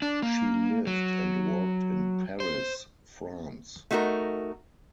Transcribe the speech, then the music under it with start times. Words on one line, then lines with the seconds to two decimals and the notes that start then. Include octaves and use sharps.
She lived and worked in Paris, France.
0.02 D4
0.22 A#3
0.87 F#3
2.40 C5
3.91 A3 D#4 F#4 A4 A#4